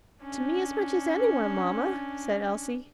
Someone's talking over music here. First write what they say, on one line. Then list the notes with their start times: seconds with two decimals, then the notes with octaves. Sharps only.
"To me as much as anyone, mamma," said Elsie.
0.24 C#4 D4